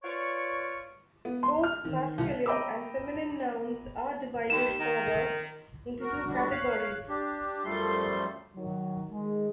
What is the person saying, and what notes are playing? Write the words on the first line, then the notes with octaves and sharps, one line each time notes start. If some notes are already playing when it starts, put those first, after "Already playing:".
Both masculine and feminine nouns are divided further into two categories.
F4 B4 C#5 D5 C#6
B3
C6
F6
D#3
C2
D#5 G5 A#5 B5 D6 E6
D#2 E7
D#3
F#4 A#4
D#2 A2 G3 D4 F#4
C#5 F5 F#6
D4 G4
F#2 F3 G3 A3 A4 C6
D#3 F#3
D#3 G#3